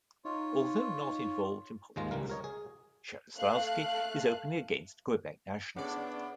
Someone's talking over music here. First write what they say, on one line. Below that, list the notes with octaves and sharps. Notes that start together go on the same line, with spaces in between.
Although not involved in politics, Jarislowsky is openly against Quebec nationalism.
D#4 F4 C#5
D#2 G#2 G#3 A#3 F4 A#5
C#2 E3 G3 A#4
A#4 C#5 D#5
G#4
A3 F5 F#6
A2 B3 C#4 D4 G#4 D5 F#5